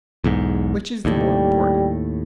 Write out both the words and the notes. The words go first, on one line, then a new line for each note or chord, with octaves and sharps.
Which is the more important?
B1 E2 G#2
D#2 A2 G3